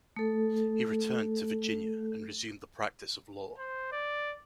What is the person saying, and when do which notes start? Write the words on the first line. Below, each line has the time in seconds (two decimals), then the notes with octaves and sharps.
He returned to Virginia and resumed the practice of law.
0.16 A3 A4
3.58 C5
3.92 D5